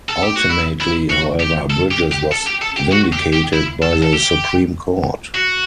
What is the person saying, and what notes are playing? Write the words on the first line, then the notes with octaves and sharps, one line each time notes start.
Ultimately, however, Bridges was vindicated by the Supreme Court.
A4
G4
F#4
E4
E4
F#4
G4
A4
G4
G4
A4
G4
A4
G4
F#4
G4
G4
E4
A4
A4
G4
F#4